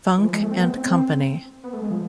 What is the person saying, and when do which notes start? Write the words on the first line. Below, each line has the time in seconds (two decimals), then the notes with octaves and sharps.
Funk and Company.
0.18 E3
0.24 F3
0.33 G#3
0.42 A3
0.51 C4
0.59 B3
0.76 C4
1.64 B3
1.73 A3
1.81 G#3
1.90 F3